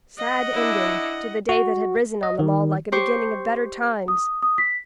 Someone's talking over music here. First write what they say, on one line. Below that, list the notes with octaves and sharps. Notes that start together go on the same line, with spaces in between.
Sad ending to the day that had risen on them all like a beginning of better times!
D#5 F#5
D4 E4
F#4
D#5
D#3
G4 C5 C#6
D#6
D#6
B6